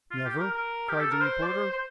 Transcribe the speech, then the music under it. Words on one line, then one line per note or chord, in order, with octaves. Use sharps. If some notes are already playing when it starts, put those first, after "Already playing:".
"Never?" cried the reporter.
F4
G4
A#4
A#4
G4
A4
A#4
C5
D5
C5
C5